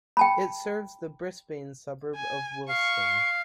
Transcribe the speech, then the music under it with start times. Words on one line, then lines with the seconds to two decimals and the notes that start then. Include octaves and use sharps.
It serves the Brisbane suburb of Wilston.
0.17 G5 A5 B5
2.16 G#5
2.69 F5 C#6